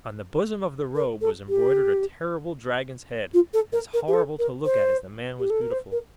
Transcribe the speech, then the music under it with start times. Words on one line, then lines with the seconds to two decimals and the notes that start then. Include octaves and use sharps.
On the bosom of the robe was embroidered a terrible dragon's head, as horrible to look at as the man was beautiful.
0.95 A#4
1.21 A4
1.49 G4
3.34 F4
3.53 A4
3.73 A#4
3.94 A#4
4.08 G4
4.13 A4
4.39 A#4
4.65 C5
5.39 G4
5.50 A4
5.61 A#4
5.71 C5
5.92 A#4